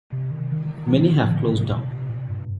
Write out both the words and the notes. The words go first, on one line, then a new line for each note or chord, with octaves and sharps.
Many have closed down.
C3
D#3
D#3
D#3
D#3
F3
D#3
C3
D3
C3
A#2
C3
A#2
G2